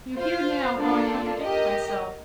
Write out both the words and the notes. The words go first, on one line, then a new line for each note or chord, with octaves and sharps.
You hear now how I contradict myself.
F4 C5 F5
A#3 D4 F4 A4
G4 A#4 D#5